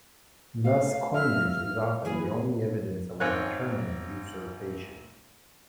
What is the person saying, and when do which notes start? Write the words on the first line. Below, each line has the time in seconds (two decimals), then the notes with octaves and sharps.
Thus coinage is often the only evidence of a determined usurpation.
0.64 A3 F5
1.14 E5 F5 F6
2.05 E3 A#3 G#4 B4
3.20 G#1 C4 C#5 F5 G#5 F#6